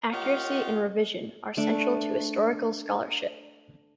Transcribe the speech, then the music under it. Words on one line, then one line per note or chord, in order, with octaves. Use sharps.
Accuracy and revision are central to historical scholarship.
F4 G4 A#4 C#5 D#5 F#5
A3 D4